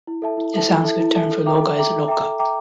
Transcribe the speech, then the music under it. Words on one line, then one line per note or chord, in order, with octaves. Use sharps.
The Sanskrit term for Loga is "loka".
E4
A4 E5 A5
E4
A4 E5 A5
E4
A4 E5 A5
E4
A4 E5 A5
A4
E5 G5 A#5 D6
A4
E5 G5 A#5 D6
A4
E5 G5 A#5 D6
A4
E5 G5 A#5 D6